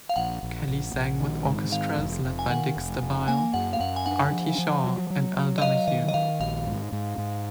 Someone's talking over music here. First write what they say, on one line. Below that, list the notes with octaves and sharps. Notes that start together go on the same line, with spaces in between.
Kelly sang with orchestras led by Dick Stabile, Artie Shaw, and Al Donahue.
F5
A#1 F#5
A#1
A#1
A#1
D#3
G#2
D#3 F5
F1
F1
G#5
D#3 F#5
F1
F1
A#3 G#5
F#2 F#5
F5
F#2 F#5
G#5
D4 F#5
F3
F3
F#3
F#3
F#3
D#5
F#3 F5
D#3 D#5
D#5
D#3 F5
A#1 F5
G#2
G#2
G#2